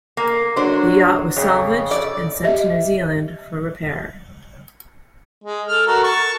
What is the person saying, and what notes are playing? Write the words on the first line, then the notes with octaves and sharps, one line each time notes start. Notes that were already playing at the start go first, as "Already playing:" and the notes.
The yacht was salvaged, and sent to New Zealand for repair.
A#3
F#3 D4 C5
F2 C#3
D5
G4 D#5 E5
G#3
A4 F6
F#4 A4 A#4
A5 C#6